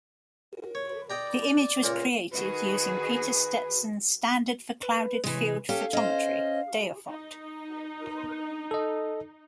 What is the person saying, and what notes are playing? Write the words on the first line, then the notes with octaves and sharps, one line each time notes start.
The image was created using Peter Stetson standard for clouded-field photometry, Daophot.
C#5
D5 D#5 G5 A#5
C#2 A#2 A#4
D#3 F#4 G#4 B4
B4
C3 E3 G#3
C#4 G4 A4 F5
C#4 C5 D#5
D#4
A4 D#5